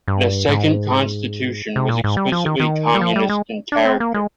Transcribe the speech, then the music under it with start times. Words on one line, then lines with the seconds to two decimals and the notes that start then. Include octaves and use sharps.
The second constitution was explicitly communist in character.
0.08 G2
0.48 G#2
1.76 C3
1.89 A#2
2.04 G#2
2.17 G3
2.32 F3
2.46 D#3
2.60 D#3
2.95 G3
3.01 F3
3.16 G3
3.29 G#3
3.72 D4
3.85 C4
4.00 A#3
4.14 G#3